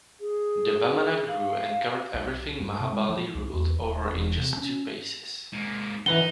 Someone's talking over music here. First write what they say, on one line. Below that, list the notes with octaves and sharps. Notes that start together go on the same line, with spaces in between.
The Vamana grew and covered everything Mahabali ruled over in just two paces.
G#4
F5
B1
G2
C3
G#3
F3
C2
E2
D#1
E1
C3
C#4
G#2 A#3
E3 D#4 B4 F#5 G7